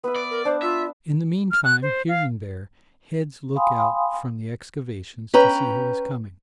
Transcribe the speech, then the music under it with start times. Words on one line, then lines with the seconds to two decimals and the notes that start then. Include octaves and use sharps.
In the meantime here and there heads look out from the excavations to see who is coming.
0.04 B3 B4 E5
0.16 D5
0.30 A#4
0.45 D4 C5
0.62 F4 E5
1.51 F6
1.65 F#6
1.82 C5
2.09 F5
3.56 F5 G5 G#5 B5 C6 D#6
5.34 C#4 B4 G5 A#5